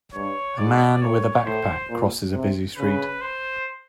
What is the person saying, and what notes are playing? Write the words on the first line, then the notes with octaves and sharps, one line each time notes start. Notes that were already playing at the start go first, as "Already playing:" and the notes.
A man with a backpack crosses a busy street.
G2 C#5
G#2 D5
A2 C#5
A2 C5
A#2
C3
C#3 B4
C5